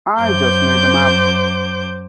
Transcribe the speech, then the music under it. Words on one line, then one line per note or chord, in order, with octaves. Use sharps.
I just made them up.
F#2 C5 D6 G6